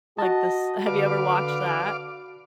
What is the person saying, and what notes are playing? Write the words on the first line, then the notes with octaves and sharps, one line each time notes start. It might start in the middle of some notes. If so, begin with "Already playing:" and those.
Like this have you ever watched that?
F#4 D#5 A5
D3 B4 D5 F5 D6